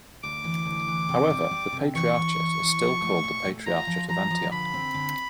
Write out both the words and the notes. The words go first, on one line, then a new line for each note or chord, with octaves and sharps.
However, the patriarchate is still called the Patriarchate of Antioch.
D2 D6
E3
D2
E3
C3
G3
G3
C3
E3 C#6
E3
E3
E3
F3
A3
A#2
A3
F4 A#5
F3
F3 A#5
F3
D3 B5
C4
D3